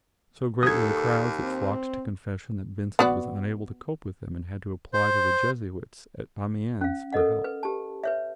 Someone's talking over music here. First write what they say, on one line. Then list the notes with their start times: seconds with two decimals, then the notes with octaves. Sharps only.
So great were the crowds that flocked to Confession that Vincent was unable to cope with them and had to apply to the Jesuits at Amiens for help.
0.63 D#2 A4 D#6 G#6
1.34 C4
2.99 B3 F#4 D5
4.93 C5
6.81 C#4 F5
7.13 A4 A#4 D#5 F#5
7.44 B4
7.63 G4 A5
8.04 B4 C#5 E5